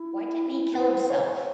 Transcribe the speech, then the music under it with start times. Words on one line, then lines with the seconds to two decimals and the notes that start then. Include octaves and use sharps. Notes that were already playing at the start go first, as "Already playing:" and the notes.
Why didn't he kill himself!
Already playing: E4
0.74 B4
0.80 C5
1.10 C#5